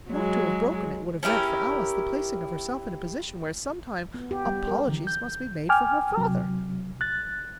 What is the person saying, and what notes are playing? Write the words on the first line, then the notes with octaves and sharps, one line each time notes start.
Not to have broken it would have meant, for Alice, the placing of herself in a position where, sometime, apologies must be made for her father.
F#3 G#3
C#4 E4 G4 A#4
B3
G4
G3
A#4
D3 E3
G6
G5 G#5 D6 F6
C3 F#3
F#6 A6